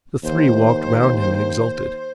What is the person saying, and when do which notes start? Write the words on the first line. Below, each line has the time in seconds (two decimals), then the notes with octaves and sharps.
The three walked round him and exulted.
0.23 D#2 C5